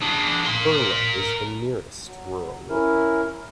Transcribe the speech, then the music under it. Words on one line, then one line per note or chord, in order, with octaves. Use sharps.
Burla is the nearest rural locality.
D4 G#4
A#4 C6
F#3
C#4 E4 A#4